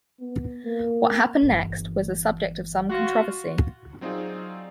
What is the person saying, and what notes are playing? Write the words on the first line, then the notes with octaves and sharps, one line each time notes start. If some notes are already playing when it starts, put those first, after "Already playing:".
What happened next was a subject of some controversy.
B3
A#3
G1 E3
F4 F#4
F#3 C4 D#4 F4 G#4 D5